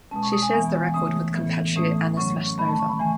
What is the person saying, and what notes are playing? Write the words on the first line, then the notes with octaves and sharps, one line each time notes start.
She shares the record with compatriot Anna Smashnova.
B2 G#3 C#4 A5
C#6
D#6
G#5
E3 B3 G#5
C#3 E3 A3 C#4 D#6
A2 E3 B3
A2 E3 A3 C#4 D#6
C#3 F#3 C#4 C#6
D#3 A3 C#4 B5
A5
C#6
B5
E3 A3 C#4 G#5